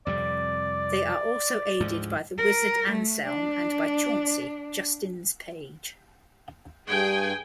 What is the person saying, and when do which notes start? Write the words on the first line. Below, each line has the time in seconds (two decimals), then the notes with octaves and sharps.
They are also aided by the wizard Anselm and by Chauncey, Justin's page.
0.07 F2 C3 G3 D5
1.80 D2 G#2 F3
2.38 A#4
2.91 A3
3.26 D4
6.88 G2 G#4 G5 G#5